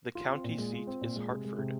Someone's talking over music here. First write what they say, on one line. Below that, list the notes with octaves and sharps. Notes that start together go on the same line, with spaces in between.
The county seat is Hartford.
F4
C4
A#2
G#3
F4
C4
A#2
G#3
C3
G#3
C3